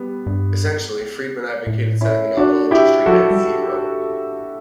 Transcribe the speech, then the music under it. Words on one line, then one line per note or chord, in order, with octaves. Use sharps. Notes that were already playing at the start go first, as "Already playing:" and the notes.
Essentially, Friedman advocated setting the nominal interest rate at zero.
Already playing: G3 B3
G2
A2
C#4 E4
D4 F#4
E4 G4
F#3 F#4 A4
G3